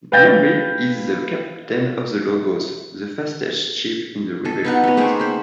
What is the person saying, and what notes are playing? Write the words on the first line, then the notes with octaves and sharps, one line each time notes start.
Niobe is the Captain of the "Logos", the fastest ship in the rebel fleet.
B4 F5 G5 G6 A6 A#6
A4 D#5
B3 D#4 F#5
B3 C#4
A3 A#3 C4 G#4
C5 B5